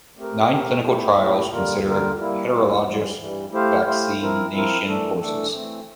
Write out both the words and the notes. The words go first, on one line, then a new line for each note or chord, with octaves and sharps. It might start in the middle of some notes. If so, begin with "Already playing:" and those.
Nine clinical trials consider heterologous vaccination courses.
A3 C4 G4 A#4
A3 C4 G4 A#4
A#2 A3 E4 G4
A#2 A3 E4 G4
D3 G3 A#3 F4 A#4
D3 G3 A#3 F4 A#4
G3 A#3 E4
G3 A#3 E4
G2 E3 G3
G2 E3 G3
A3 E4 G4 C5 F5
A3 E4 G4 C5 F5
F3 C4 E4 A#4
F3 C4 E4 A#4
E3 A3 D4 A4
E3 A3 D4 A4
E3 A3 C4